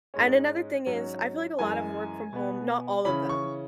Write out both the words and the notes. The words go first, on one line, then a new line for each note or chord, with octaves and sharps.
and another thing is I feel like a lot of work from home not all of them,
G#2 G#3 C#4
G#2 F#3 C#4
F#2 E3 G#3 G#5
B2 B3
C#3 E3 C#4 B5
C#6